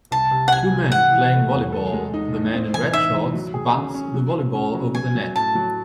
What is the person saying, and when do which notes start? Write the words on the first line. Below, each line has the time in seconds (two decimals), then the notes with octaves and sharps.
Two men playing volleyball, the man in red shorts bunts the volleyball over the net.
0.11 C2 A5
0.31 C3
0.48 F#5
0.52 C2 G#5
0.72 C3
0.92 E3 F#5
1.12 E3
1.33 A3
1.53 E2
1.72 A4
1.93 G#3
2.14 D#4
2.33 A2
2.53 C4
2.74 E3 G#5
2.93 D#4 E5
3.14 E3
3.34 F#3
3.54 G#4
3.75 C#4
3.94 C#4
4.14 F#3
4.34 C#4
4.55 C#4
4.74 F#3
4.95 F#3 G#5
5.15 F#3
5.36 A2 A5
5.55 F#3